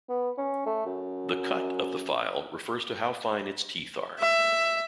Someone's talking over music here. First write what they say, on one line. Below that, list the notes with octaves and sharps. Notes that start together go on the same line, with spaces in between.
The "cut" of the file refers to how fine its teeth are.
B3
C#4
A3
F#2
E5